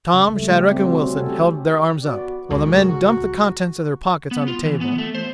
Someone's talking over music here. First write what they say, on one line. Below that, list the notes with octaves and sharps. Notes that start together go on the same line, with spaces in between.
Tom, Shadrack, and Wilson held their arms up, while the men dumped the contents of their pockets on a table.
C#3
A3
G3
G4
C4
F#4
C#4
A4
G4
B3 F#4 D5
C#2 A2 F#4 G#4 A#4
F#4
B3
F4
E3
B3
A3
C5